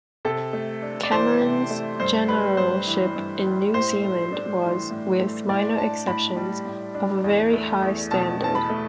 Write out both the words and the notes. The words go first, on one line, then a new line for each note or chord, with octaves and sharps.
Cameron's generalship in New Zealand was, with minor exceptions, of a very high standard.
C3 A4
A3
D4
D5
E3 C5
C3
A3
G2 C5
G3 B4
G2 C5
E3
G2
G3
A2 C5
A3
D4
E3
A2
A3
A2 D5
D4 A5
A2 B5
G3
A2
D4
E2
A3
E2
B2 A5
E2 A5
B5
A3